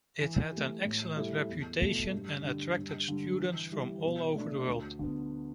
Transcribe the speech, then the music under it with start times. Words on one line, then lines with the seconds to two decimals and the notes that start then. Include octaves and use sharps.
It had an excellent reputation and attracted students from all over the world.
0.21 E3
0.52 A3 G4
0.85 A2
1.17 G3 E4 A4
1.49 E2
1.80 B2 A3
2.12 G2
2.44 D3 G3
2.76 G2
3.08 D3 G3
3.40 E3
3.72 G3 E4
4.04 B2
4.35 A3 D4
4.67 D2
4.99 D3 B3